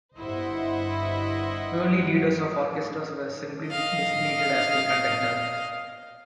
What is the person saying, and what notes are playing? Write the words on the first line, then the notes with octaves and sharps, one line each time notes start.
Early leaders of orchestras were simply designated as the conductor.
G1 E4 C5 D#5 E5 F#5
D#5 F5